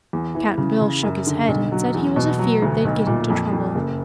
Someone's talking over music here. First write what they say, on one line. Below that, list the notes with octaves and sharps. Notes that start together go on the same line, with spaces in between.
Cap'n Bill shook his head and said he was afeared they'd get into trouble.
E2
E3
C#3
C#3
F#2
D3
B1
F#3
E2
B2
F#3
D2
B1
A#2
F2
F2
F#1